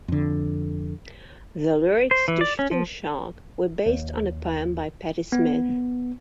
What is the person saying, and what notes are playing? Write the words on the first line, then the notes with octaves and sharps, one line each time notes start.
The lyrics to "Shooting Shark" were based on a poem by Patti Smith.
F2 D3
C5
E3
D5
C#4
F3
D#2
B3